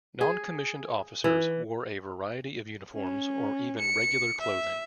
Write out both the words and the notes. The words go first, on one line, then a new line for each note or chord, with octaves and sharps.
Non-commissioned officers wore a variety of uniforms, or even regular clothing.
G#4
E3
C#4
C#7
E5